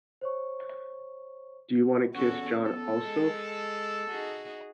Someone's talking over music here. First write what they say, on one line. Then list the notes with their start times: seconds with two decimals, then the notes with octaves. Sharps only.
Do you wanna kiss Jon Ossoff?
0.21 C5 C#5 C#6
2.15 E2 C#4 F#4 A4
2.65 B3 A4
3.01 G#3
4.10 D#4 F#4 G#4